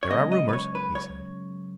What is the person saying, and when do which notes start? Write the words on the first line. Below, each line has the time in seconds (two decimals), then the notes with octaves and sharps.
"There are rumours," he said.
0.03 C#5
0.10 F#2 C#3 G#3 B3 D#5
0.32 D#5
0.49 B4
0.53 C#5
0.75 B4
0.95 C#5